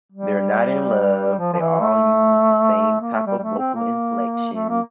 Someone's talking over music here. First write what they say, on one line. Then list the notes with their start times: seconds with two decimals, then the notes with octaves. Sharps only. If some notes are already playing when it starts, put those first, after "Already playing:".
They're not in love. They all use the same type of vocal inflections.
0.12 G3
1.39 F3
1.53 F3
1.59 E3
1.80 A3
3.01 A#3
3.14 A3
3.27 G3
3.39 G3
3.42 A3
3.58 C4
3.74 A#3
4.53 A3
4.69 A#3